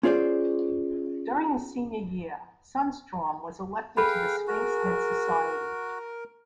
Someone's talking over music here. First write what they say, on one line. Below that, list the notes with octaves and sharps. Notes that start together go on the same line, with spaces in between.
During his senior year, Sundstrom was elected to the Sphinx Head Society.
C#4 F4 G#4 C5 D5
G#4 A4 B4 F5 G5 B5
F#4 A#4